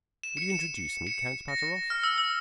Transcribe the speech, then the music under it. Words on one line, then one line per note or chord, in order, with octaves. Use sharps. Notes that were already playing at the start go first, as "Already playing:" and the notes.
"Will you introduce me, Count Pateroff?"
E7
C#7
E7
C#7
A#6
F6
E6
E6